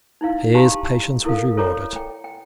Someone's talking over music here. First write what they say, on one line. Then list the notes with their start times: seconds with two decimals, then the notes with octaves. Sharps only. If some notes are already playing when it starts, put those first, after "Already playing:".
His patience was rewarded.
0.21 D#4 E4 F5
0.54 G4 F5 G5 A5 A#5 C6
1.25 E4 A4 A#4 F5
1.57 F4 A4 C#5 D5 A#5 D6
1.96 G5
2.24 G5